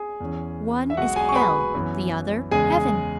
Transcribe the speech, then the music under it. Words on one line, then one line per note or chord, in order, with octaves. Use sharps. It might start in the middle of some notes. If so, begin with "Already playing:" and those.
One is Hell--the other Heaven.
Already playing: G#4 G#5
E2 E3 C#4
E5
B1 B2 G#3 F#4 F#5
G#4 G#5
C#6
B4 B5
F#2 E3 B3
E2 C#3 G#3 G#4 G#5